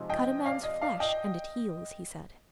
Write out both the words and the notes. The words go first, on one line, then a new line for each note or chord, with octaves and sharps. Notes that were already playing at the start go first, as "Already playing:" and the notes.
"Cut a man's flesh and it heals," he said.
Already playing: C3 F3 G#3 D#4
D#5 G5
D5 F5
D#5
D5 F5
D#5 G5